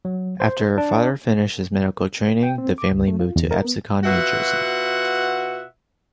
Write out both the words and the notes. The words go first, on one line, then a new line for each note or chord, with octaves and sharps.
After her father finished his medical training, the family moved to Absecon, New Jersey.
F#3
C5
D4
G5
C4
D6
C#2
A3
F4
E2
A#4
B3
B2 F4 F#4 E5 F#5